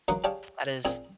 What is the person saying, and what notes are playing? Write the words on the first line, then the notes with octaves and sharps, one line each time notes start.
That is
C#2 F#3 A#3 F#5 C6 D#6
G4 G#4 C#5 D5 F5 A5
A#2 C4 G#4 G#5